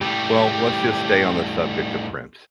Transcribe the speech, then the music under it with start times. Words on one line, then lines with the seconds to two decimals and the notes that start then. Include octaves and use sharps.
Well, let's just stay on the subject of Prince,
0.01 A2 G3 G4